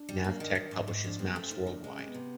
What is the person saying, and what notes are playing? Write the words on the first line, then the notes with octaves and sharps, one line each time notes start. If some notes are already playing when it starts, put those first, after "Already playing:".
Navteq publishes maps worldwide.
Already playing: D4
G3
A#3
D#3
D#3
G#2
G#2
F3 D4
B3 C4
A3 C#4
A#2 D#4
D2 D4
G#3
C#4
C3
B3
C3